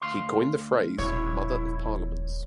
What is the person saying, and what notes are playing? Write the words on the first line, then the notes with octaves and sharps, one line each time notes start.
He coined the phrase Mother of Parliaments.
D2 F5 C6
D#1 B1 E4 C#5
F2